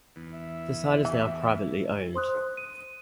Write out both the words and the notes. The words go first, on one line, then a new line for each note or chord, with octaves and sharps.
The site is now privately owned.
E2
E5
E3
C5 C6 D#6 F#6
D#7